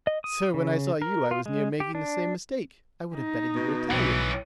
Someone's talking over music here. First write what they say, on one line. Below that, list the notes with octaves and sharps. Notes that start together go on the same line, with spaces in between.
"Sir, when I saw you, I was near making the same mistake; I would have betted you were Italian."
D#5
D#6
C#3
A#4
F4
G#3
G4
D4
D#4
B2
B1 E3 C#4